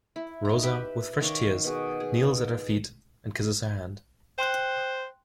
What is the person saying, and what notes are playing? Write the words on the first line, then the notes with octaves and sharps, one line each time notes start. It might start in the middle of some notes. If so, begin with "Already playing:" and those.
Rosa, with fresh tears, kneels at her feet and kisses her hand.
E4
D#4 A#5
G4 B4 E5
D#3 C#5 F5 D6
B2 F#4 G#4
G#4
C5 G5 C6 F#6